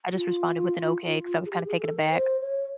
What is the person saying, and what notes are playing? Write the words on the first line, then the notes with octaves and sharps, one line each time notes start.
I just responded with an okay 'cause I was kinda taken aback.
F4
G#4
G4
G#4
A4
A#4
C5
C#5